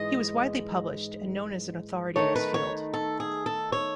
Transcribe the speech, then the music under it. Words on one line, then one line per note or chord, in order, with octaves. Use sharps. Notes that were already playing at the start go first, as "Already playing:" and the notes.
He was widely published and known as an authority in his field.
Already playing: G#2 E3 G#3 D#5
D#3 A3 D#4 C#5
B4
C#5
A4
G#4
A4
C#5